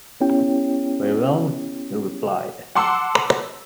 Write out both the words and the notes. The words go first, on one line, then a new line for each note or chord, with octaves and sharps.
Very well,” he replied.
B3 C#4 E4 G4 C#5 G5
F#5 A5 C6 D6 E6